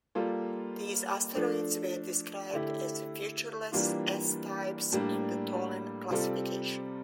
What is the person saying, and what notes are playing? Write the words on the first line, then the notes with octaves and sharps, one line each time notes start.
These asteroids were described as "featureless" S-types in the Tholen classification.
G3 A#3 F4 A4
F3 A3 D4 A4
D3 A3 E4 G4
E3 G3 A#3 D4 F4
A2 G3 A#3 D4
C3 G3 C4 F4 A4